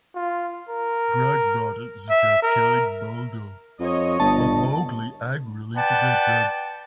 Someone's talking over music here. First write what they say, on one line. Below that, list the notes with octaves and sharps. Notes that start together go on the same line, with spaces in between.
Grey Brother suggests killing Buldeo, but Mowgli angrily forbids him.
F4
A#4
E5
A#4
F2 C#5 D#5
G1 A5
B4 D5 F#5 G5 A5